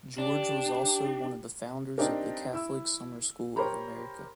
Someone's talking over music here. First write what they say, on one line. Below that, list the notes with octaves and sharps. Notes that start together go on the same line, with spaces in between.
George was also one of the founders of the Catholic Summer School of America.
D4 G4
C4 D4 D#4 G4 A#4
E4 E6
G4 A#4 C5 C#5 A#5 B5